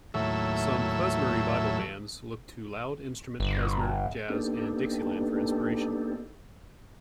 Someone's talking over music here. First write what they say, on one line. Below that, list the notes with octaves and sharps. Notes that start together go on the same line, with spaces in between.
Some klezmer revival bands look to loud-instrument klezmer, jazz, and Dixieland for inspiration.
D#2 A2 F#3 A4 E5
G1
A#3 B3 D4 D#4 G4 A4